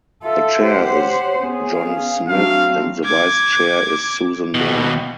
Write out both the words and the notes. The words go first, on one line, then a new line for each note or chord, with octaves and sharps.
The chair is John Smith and the vice chair is Susan Moore.
F4 A4 E5
G4 C5 F#5
C#5
B3 C#4 G#4
F5
F#3 A3 C4 D4 F5
D6 G#6
D#2 B2